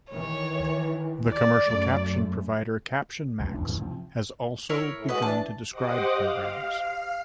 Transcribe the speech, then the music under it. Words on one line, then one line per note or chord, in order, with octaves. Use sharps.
The commercial caption provider CaptionMax has also begun to describe programs.
D#3 E3 C#5
D5
F#2 A3
F1 C#2 C3
F1 C2 E3 D4
G#2 D#3 G3 A3
C3 F3
E4 A#4 C#5
A2
G#3 F#4 B4 D#5
E3 D4 A5
G4 C5 D#5 F#5 D6 D#6
F5